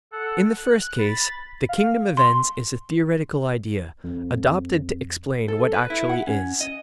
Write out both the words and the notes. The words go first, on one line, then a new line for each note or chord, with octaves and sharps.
In the first case, the kingdom of ends is a theoretical idea, adopted to explain what actually is.
A4 F#5
F#6
B5 A6
F5
C6
F2
A4
B4
E4
F#5
C#4
D#5